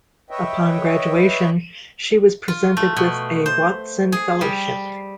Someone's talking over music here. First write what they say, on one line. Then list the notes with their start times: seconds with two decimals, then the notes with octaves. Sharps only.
Upon graduation, she was presented with a Watson Fellowship.
0.30 B4 C#5 D#5 E5 G5
2.48 F4
2.77 A3
2.97 B2
3.46 C5
4.12 G#4
4.41 G3